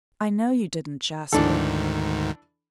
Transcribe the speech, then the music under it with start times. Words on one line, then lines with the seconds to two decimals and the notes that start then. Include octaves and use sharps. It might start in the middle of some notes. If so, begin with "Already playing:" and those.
'I know you didn't, Jasper.
1.32 D2 G#2 D#3 E3 D4 A4